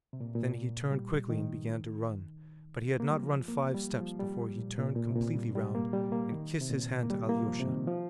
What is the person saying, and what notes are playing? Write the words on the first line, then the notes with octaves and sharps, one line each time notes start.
Then he turned quickly and began to run; but he had not run five steps before he turned completely round and kissed his hand to Alyosha.
C3
A#2
A#2
G3
D#3
A#3
G3
F3
A#3
G3
F3
G3
A#2
A#2
A#2
C3
A#2
G3
G3
A#3
G3
A#3
D#3
C3
A#2
A#3
G3
A#3
F3
C3
D#3
F3